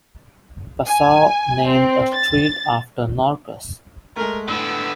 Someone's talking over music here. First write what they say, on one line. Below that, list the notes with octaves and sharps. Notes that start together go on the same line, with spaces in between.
Passau named a street after Norkus.
G#5
C4
A6
G#3 A3 A#4
A2 D3 B3 E6